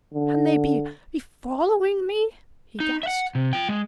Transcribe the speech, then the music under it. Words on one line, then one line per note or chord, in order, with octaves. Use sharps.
"Can they be--be following me?" he gasped.
D3
D#4
E5 F#5
C3
F4 G5
G#3